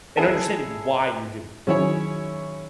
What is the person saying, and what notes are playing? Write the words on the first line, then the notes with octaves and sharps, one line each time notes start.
and understanding why you're doing it.
E4 G#4 A4
D#3 F#3 C#4 E4 G#4 C#5